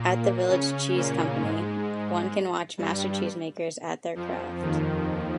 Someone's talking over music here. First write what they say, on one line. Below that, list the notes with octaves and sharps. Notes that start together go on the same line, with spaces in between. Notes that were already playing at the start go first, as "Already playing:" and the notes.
At the Village Cheese Company, one can watch master cheesemakers at their craft.
Already playing: A#2 A#3
C#3 C#4
A#2 A#3
G#2 G#3
G2 G3
F2 F3
D#2 D#3